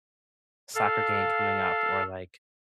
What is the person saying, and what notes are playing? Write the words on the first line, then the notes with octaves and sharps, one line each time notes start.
soccer game coming up?" Or, like,
A4 F5